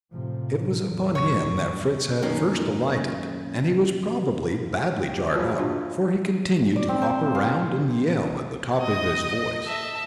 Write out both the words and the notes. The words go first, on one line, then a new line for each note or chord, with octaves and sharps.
It was upon him that Fritz had first alighted, and he was probably badly jarred up, for he continued to hop around and yell at the top of his voice.
A2 C3 F3
A1 E2
C#5
F#2 D#3 A#3 C#4
G5
C3
F3 F#3 G#4 B4
G2 B2 F4 B4
D5
C4
C5
F5
D#5 D#6
E5 A5